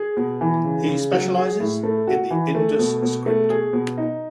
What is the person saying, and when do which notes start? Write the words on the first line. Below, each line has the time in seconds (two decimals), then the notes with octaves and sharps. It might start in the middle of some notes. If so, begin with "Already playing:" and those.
He specializes in the Indus script.
Already playing: G#4
0.17 B2
0.41 E3
0.64 C#3
0.88 C#3
1.13 F#3
1.36 G#4
1.60 A2
1.83 A3
2.07 F#4
2.31 E3
2.55 A3
2.79 B2
3.03 B2
3.26 A3
3.50 G#4
3.73 B2
3.98 D#4